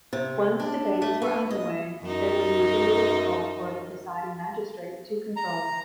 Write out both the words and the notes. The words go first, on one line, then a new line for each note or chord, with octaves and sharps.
Once debates were underway, they were usually difficult for the presiding magistrate to control.
C3
D4
A3
B3
D#5
F#2 D#4
A#5